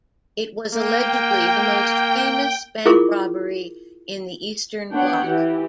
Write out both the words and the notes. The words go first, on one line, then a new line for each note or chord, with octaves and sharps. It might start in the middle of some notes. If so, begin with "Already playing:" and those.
It was allegedly the most famous bank robbery in the Eastern bloc.
A#3 G5
E4 F4 G#4 A#4 C#6 D6
B3 D4 C#5 F#5 G5
E3 G4